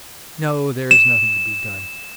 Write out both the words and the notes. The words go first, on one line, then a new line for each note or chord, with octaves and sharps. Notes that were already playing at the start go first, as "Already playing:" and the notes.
No, there is nothing to be done.
E7